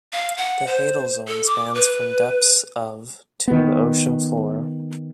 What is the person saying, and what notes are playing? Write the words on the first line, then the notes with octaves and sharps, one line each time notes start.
The hadal zone spans from depths of to the ocean floor.
F5
F#5
C5
A4
D6
B4
D#3 B3